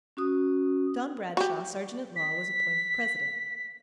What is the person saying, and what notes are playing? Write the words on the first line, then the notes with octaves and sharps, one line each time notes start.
JOHN BRADSHAW, serjeant-at-law, was appointed president.
C#4 F#4 D#6
F#4 G4
B6